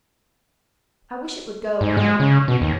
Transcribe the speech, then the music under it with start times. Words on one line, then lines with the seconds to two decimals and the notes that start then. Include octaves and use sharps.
I wish it would go away.
1.81 G#2
1.97 G#3
2.20 C#3
2.48 B2
2.61 D#2